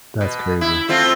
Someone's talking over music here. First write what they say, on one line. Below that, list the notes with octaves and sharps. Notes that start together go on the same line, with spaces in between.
That's crazy.
B2
E4
A3 C4 F4